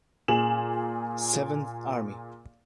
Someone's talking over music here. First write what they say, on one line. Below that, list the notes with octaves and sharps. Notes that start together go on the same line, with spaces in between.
Seventh Army.
A#2 G#4 E7 F#7